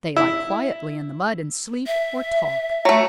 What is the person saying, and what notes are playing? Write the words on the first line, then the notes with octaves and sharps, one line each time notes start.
They lie quietly in the mud and sleep or talk.
E4
E5
F#3 A3